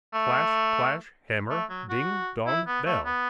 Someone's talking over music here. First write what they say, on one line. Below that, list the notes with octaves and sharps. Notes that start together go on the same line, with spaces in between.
Clash, clash, hammer; ding, dong, bell!
A3
A3
F#3
F#4
E4
B3
A3
B3